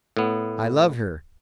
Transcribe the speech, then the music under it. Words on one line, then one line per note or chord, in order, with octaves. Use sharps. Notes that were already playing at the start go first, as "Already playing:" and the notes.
I love her.
A2 B3